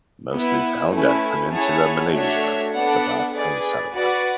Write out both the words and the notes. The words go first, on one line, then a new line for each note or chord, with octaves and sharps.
Mostly found at Peninsula Malaysia, Sabah and Sarawak.
B3 E4 B4
A3 C#4 E4 B4
E4 G#4 C#5 F#5 A5
A3 D4 F#4 C#5 E5
B3 D4 A4 D5 F#5
G#4 B4 D5
F#4 B4 D5 F#5